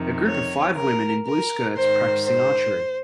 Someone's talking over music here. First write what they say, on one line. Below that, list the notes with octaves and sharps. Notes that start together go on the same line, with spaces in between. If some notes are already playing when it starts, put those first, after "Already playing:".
A group of five women in blue skirts practicing archery.
Already playing: F2 C3 D#3
C#5
A#4
A#4
G#2 D#3 C5
C5